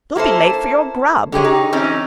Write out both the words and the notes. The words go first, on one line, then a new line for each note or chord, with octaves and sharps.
You'll be late for your grub!'
A#3 E4 A4 C5
D3 G4 G#4 C#5
D#4
E3 C4 C#4 D#4